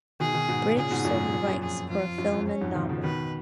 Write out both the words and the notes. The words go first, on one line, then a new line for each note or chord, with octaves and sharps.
Bridge sold rights for a film and novel.
B2 D#3 G#4
B2 D#3
G#2 B2
A#2 C#3 G#4
G#2 B2
F#2 A#2
F#2 A#2
F#2
F2 G#4
F2 F4
F#2
F2
C#4
F2 G#2
B2 D#3
C#3 F3
B2 D#3 B4